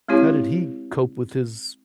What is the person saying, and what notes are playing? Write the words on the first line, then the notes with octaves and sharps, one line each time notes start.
how did he cope with his
G#3 C4 E4 G4 C#5